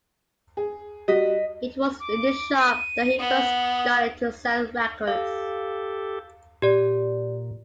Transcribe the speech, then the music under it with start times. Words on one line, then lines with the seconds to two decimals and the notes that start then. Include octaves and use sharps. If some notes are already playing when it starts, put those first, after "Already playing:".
It was in this shop that he first started to sell records.
0.57 G#4
1.08 G3 F#4 D#5 B6
2.00 D6
2.60 D#7
3.19 B3 D#6
5.07 G4 A4 F5
6.62 A#2 G4 D5